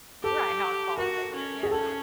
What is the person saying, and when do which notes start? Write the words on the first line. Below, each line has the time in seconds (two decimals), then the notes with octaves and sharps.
Right, how it falls that year, yeah.
0.23 G4 A4
0.98 F#4 A#4
1.35 C#4
1.63 G#4
1.71 C#4 A4